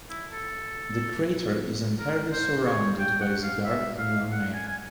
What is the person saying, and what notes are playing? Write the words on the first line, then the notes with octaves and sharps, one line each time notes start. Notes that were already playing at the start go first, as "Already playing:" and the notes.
The crater is entirely surrounded by the dark lunar mare.
E4
A4
A#4
C5
C#5
G5
F#5
F5
E5
F5
F#5
G#5
G#5